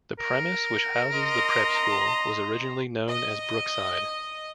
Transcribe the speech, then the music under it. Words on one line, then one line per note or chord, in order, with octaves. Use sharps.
The premise which houses the prep school was originally known as Brookside.
A#4
D#5 A#5 C6
D#5